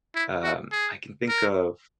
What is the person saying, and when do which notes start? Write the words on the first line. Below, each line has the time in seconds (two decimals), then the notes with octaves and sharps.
uh, I can think of
0.15 E4
0.43 F#4
0.72 G#4
1.28 A#4